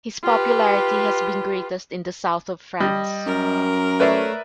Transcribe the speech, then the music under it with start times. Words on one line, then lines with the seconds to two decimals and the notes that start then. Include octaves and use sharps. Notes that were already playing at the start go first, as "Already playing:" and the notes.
His popularity has been greatest in the south of France.
0.22 F4 G4 B4
2.80 G3 D#5
3.26 F#2 A#4
4.00 A3 B4 C#5 D5 E5 C7